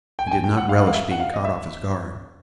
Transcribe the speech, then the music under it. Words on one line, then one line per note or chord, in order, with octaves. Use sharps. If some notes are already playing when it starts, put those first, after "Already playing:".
He did not relish being caught off his guard.
G5
G#5
G5
G5
F#5
F5
F#5
F5
E5
F#5
F5
D#5
E5